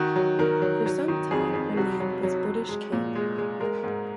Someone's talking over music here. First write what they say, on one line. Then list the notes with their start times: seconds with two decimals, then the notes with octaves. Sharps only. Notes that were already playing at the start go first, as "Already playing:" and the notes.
For some time her name was "British King".
Already playing: D#3 F#4
0.16 F#3
0.39 D#3 A#4
0.62 F#3
0.86 F#3
1.08 D#3
1.31 F2 G#4
1.54 F2
1.76 C3 F#4
2.00 F#3
2.23 F#3
2.46 F#3
2.69 G#3
2.92 A#2
3.15 G#3
3.38 G#3
3.60 G#3 A#4
3.84 G#2